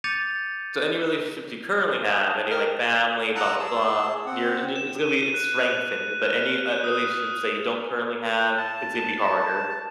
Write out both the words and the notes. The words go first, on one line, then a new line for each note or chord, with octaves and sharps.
So, any relationships you currently have, any, like, family, blah, blah, blah, you're and i it's gonna be it's strengthened. But any, uh, relationships that you don't currently have, it's gonna be harder
D6 G6 A6 C#7 D#7 F7
G#5 D#6 F6
A5 D#6
A#4 D#5 G5
F#5 A5 A#5 D#6 E6 F#6
G#4 A5 E6
C4 F#5
E7
D#7
F#6
F6
F#6
D#6
A5